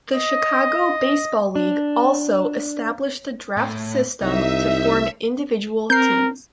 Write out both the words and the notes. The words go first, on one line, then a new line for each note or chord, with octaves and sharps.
The Chicago Baseball League also established the draft system to form individual teams.
D#5
D4
A2
C2 D#4 E5
C4 A#4 G6 C7